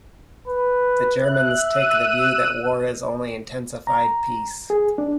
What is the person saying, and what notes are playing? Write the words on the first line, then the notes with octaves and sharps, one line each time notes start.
The Germans take the view that war is only intensified peace.
B4
E5 F#6
E6 F#6 D#7
A#5
G#4
D4